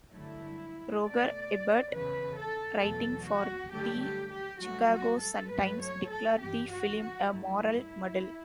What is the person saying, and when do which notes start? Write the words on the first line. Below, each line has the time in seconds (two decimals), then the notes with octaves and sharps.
Roger Ebert, writing for the "Chicago Sun-Times", declared the film a "moral muddle".
0.13 G2 D3 F#3 A3 E4
1.03 B2 A3 D5
1.92 E2 C#3 E3 B4
2.37 A4
2.81 E2 B2 F#3 A3 A4
3.27 F#4
3.71 G2 D3 F#3 A3 G4
4.01 G4
4.32 G4
4.60 G2 F#3 A3 F#4
4.91 F#4
5.21 A4
5.50 G2 F#3 A3 B4
5.80 C#5
6.10 A4
6.40 G2 E3 G3 G4
6.69 F#4
7.00 F#4
7.29 G2 F#3 A3 E4